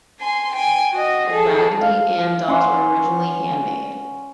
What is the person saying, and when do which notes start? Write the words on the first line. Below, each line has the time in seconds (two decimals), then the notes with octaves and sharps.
Raggedy Ann dolls were originally handmade.
0.21 G#5 C6
0.54 G5 G#5
0.93 F#4 D#5
1.28 G#4 A4
1.81 F5
2.48 C#4 F#5 C6